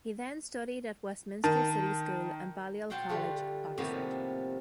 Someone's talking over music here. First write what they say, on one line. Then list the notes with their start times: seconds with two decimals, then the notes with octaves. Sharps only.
He then studied at Westminster City School and Balliol College, Oxford.
1.44 D#3 A5
2.90 B2 F4 F#5 G5 A5 C6
3.09 D3 G3 A3 F4
3.78 A2 C3 D#3 F3 A#3 B3